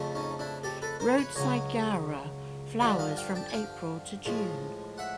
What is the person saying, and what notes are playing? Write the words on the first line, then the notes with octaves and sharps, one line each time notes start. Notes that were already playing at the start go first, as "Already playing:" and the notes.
Roadside gaura flowers from April to June.
Already playing: F2 C#3 F3 A3
C#4 D#4
D4 E4
G4 A4
A4 B4
A#4 C5
B4 C#5
C#2 C#3 F#3 C#5 D#5
G2 D3 F3 D5 E5
D#5 F5
F5 G5
G5 A5
G#5
F5 G5
A2 F3 G#3
E5 F#5